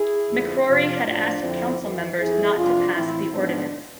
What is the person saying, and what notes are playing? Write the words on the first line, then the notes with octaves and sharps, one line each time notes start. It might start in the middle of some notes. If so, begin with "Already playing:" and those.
McCrory had asked council members not to pass the ordinance.
Already playing: E4 G#4
F2 D3 F3
F2 C3 F3 D4 F4
A2 F3 D4 F4
F2 D3 F3 C4 E4
F2 E3
F2 E3 E4 G#4
F2 C3 E3 D4 F4
A2 E3 C4 E4
G#2 F3 B3 D4